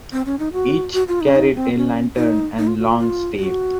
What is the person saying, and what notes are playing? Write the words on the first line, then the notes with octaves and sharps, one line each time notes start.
Each carried a lantern and long stave.
C4
C#4
D#4
F#4
F#4
F4
D#4
C#4
D#4
C4
C#4
D#4
D#4
F4
F#4
F4
F4
F#4